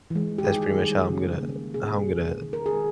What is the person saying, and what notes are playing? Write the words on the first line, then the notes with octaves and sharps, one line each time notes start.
that's pretty much how I'm gonna how I'm gonna
E3 G#3
G4
D#3 G#4
G3 A#3
C#3
G3 A#3
B2 G#4
A#3
D#3
A#4
G#4
G#3